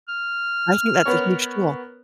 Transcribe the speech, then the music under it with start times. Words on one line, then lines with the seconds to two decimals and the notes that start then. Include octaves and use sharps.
I think that's a huge tool.
0.08 F6
1.06 B3 A#4 C#5